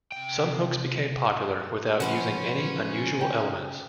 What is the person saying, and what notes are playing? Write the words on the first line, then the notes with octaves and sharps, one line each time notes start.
Some hooks become popular without using any unusual elements.
C3 G5
A#2 C#3 F3 C#4 F#4 B4 C5
C#3 G5